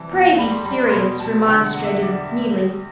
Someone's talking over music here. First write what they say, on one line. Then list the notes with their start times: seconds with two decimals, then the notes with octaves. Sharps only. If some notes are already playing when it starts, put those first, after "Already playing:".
"Pray be serious," remonstrated Neelie.
Already playing: C3 E3 G3 A5
0.11 E2
0.38 G3 B5
0.52 C6
0.65 G3 B5
0.86 C6
0.93 B2 B5
1.20 B2 A5
1.47 D3 G5
1.66 F#5
1.74 E2
1.84 E5
2.02 G3 D5
2.29 E2
2.56 G3